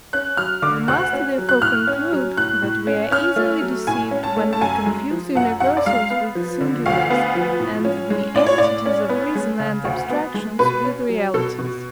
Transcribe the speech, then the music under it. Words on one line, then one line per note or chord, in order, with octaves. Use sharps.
We must therefore conclude, that we are easily deceived, when we confuse universals with singulars, and the entities of reason and abstractions with realities.
C#4 F#6
F#3 F6
D3 D6
D2 F#6
C#4
F#3
F#6
A2 F6
C#4
F#3
A2 F#6
A2
C#4
C#4 F6
A3
F#3
A2 G#5
C#4
A5
A3
A5
F#2 G#5
G#3
F3
F#2 F#5
F#2 F#5
D5
G#3 F5
B3
F3
D3
D2 F5
B3
F3
A2
C#4
G#3
A2 D5
C#5
A2 D5
C#4
B3
G#3
C#3
D2
B3
G#3
B2 B4
C#4
F#3
B2 A4
B2